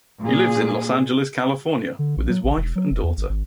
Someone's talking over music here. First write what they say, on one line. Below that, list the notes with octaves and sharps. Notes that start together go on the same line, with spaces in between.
He lives in Los Angeles, California with his wife and daughter.
A#2 G#4
D3
A#1
F#3
A1
E1
F#3
F1
E2
G#1
G#1